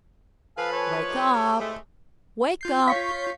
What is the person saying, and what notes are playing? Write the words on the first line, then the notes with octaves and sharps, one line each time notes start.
"Wake up! Wake up!"
F3 A4 B4 F5 G#5
C#5
A3 D#4 G4
C4 G4 G#4
A2 G#3 A3
F4 G6 C7
C#5 F5 C#6 B6